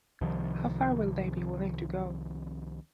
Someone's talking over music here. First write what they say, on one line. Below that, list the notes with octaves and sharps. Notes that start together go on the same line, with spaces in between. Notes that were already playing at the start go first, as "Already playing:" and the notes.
How far will they be willing to go?
C2 C3 D#3 F3